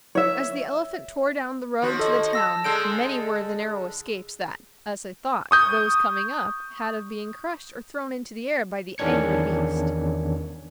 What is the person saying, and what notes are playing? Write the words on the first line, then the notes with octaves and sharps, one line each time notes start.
As the elephant tore down the road to the town many were the narrow escapes that, as they thought, those coming up had of being crushed or thrown into the air by the angry beast.
C#5 E5
D#2 F3 F#4
A4 D#5
A5 E6 A#6
D3 G#3 A4 E6 G6 D7
C#6 D#6 G6
E2 D#3 C#4 D4 G#6 C#7